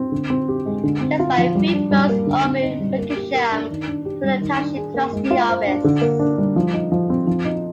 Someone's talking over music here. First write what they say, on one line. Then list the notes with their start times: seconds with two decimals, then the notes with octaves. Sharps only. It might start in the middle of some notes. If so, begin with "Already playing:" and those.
Just by Three Votes Orvil Wickersham took the Township Trustee office.
Already playing: C4
0.12 D3
0.30 C4
0.48 G4
0.66 G#3
0.84 D3
1.01 C4
1.20 F4
1.38 F3
1.55 G3
1.74 D4
1.91 G3
2.09 A#3
2.27 D3
2.45 C4
2.63 D#4
2.80 G3
2.98 A#3
3.16 G4
3.34 A#4
3.52 D4
3.70 D#3
3.88 D4
4.05 G4
4.24 G3
4.41 D#3
4.59 D4
4.77 G#4
4.94 A#3
5.13 G#3
5.31 F4
5.49 C5
5.67 D4
5.84 D3
6.02 A#3
6.19 D4
6.38 G3
6.56 F3
6.74 D#4
6.92 F3
7.10 C4
7.27 F3
7.45 D#4